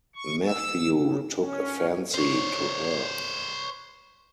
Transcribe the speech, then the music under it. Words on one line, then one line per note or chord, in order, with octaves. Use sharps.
Matthew took a fancy to her.
C#6
E6
C#3
C#4
C5 C#5